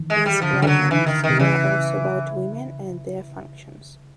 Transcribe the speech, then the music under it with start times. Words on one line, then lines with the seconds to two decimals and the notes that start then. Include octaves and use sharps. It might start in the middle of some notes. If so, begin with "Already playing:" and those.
His writings were also about women and their functions.
Already playing: D#3 E3
0.10 G#3
0.26 G3
0.42 D3 F3
0.53 C#3
0.62 D3 F#3 G3
0.91 E3
1.06 D#3
1.24 D#3
1.29 C3
1.39 C#3 E3